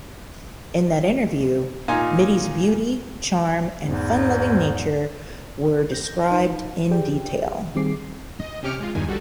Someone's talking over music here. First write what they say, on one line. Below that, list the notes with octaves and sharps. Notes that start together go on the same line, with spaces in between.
In that interview, Mittie's beauty, charm, and fun-loving nature were described in detail.
A#2 D#4 F4 G#5
E2 G#2
G6 A#6
D#4 B4
G4 G#4 D5 G5
D#3 G3 C4 G#4 D6 C7
D#5
C3 C#4 G4 D6 F6 C#7
G#3 F4
E2 G2 D#3 G#5
A1 G3 F#4 A4